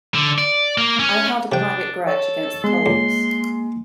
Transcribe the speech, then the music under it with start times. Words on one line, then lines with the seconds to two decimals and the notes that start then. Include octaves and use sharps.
I held a private grudge against the Colts.
0.15 D3
0.38 D5
0.78 A#3
0.99 C#4
1.52 C3 D4 G5
2.07 A4 C#5
2.64 G#3 B3 C6
2.86 C#2 A#3